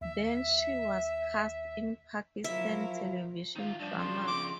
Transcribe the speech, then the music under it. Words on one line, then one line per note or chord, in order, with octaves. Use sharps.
Then she was cast in Pakistan television dramas.
D#2 E5
F3 F#3 E4 A#4 E5
D#3 F4
G2 F3 D4
C#3 F3 C6
D6